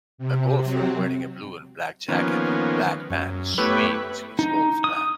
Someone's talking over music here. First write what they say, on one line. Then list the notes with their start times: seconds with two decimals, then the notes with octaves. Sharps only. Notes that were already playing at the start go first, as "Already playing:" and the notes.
A golfer wearing a blue and black jacket and black pants swings his golf club.
0.18 C3
0.61 C3 F#3 C4
2.09 D#3 F3 A#3 B3 C#4
3.10 F#2
3.58 A3 B3 E4 G4 B4 C#5
4.39 D#4
4.84 D#6